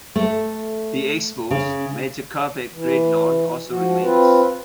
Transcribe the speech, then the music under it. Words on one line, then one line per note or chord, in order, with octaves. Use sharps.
The expo's "Magic Carpet Great Lawn" also remains.
A3
C#3
E3
F3 F#4
C4 F4 B4